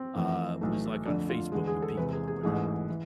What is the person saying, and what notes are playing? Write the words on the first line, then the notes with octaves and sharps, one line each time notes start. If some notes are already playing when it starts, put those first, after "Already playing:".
uh, was, like, on Facebook with people or whatever,
Already playing: C4
F2 E3 A3
B1 A2 E3 A3
F2 D3 A3 D4
F4
E2 D3 G#3
G#4
A4
E2 C3 G#3 B4
G#4
G#4
A1 G#2 E3 A3 G#4
E3